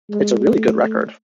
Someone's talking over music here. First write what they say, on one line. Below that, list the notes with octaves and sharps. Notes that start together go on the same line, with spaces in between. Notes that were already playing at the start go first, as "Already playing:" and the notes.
It's a really good record.
G#3
A3